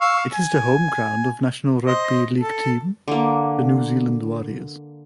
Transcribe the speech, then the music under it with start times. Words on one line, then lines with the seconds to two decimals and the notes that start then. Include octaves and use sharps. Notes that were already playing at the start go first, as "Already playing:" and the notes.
It is the home ground of National Rugby League team, the New Zealand Warriors.
0.01 F5 C#6 E6
0.34 G#5
1.87 C5 D#5
2.41 A4
3.08 D3 A#3